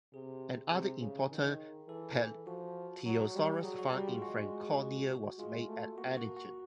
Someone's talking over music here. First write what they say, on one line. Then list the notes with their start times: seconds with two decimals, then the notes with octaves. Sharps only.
Another important "Plateosaurus" find in Franconia was made at Ellingen.
0.13 C3 G#4
0.71 C3 G#4
1.01 C#3
1.31 D#3
1.88 E3 A4
2.47 F3 F#4
3.05 F#3
3.35 G3
3.63 F#3 G#4
3.79 F#4
3.93 G3 F#4
4.08 F4
4.22 G#3 F#4
5.38 G#3 F4
5.68 A3
5.97 A#3 F#4
6.17 F#4
6.36 F#4